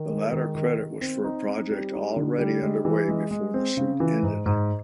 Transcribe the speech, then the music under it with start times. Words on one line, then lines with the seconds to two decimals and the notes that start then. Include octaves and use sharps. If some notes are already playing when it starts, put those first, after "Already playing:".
The latter credit was for a project already underway before the suit ended.
Already playing: D#3
0.10 G#3
0.32 D#3
0.55 D#3
0.78 D#3
1.01 C4
1.24 D#4
1.48 C4
1.71 G3
1.93 D#4
2.16 D3
2.38 G3
2.62 G#3
2.85 E3
3.08 G#3
3.31 G#3
3.54 C4
3.77 C#3
4.00 E3
4.23 G#2
4.46 G#2